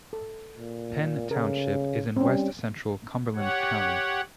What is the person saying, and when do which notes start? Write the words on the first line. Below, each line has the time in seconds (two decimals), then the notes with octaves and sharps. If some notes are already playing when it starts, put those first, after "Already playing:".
Penn Township is in west-central Cumberland County.
0.13 A4
0.58 A#2
1.31 C#3 A4 A#4
2.17 G3 C4 C#4
3.36 G4 C#5 F#5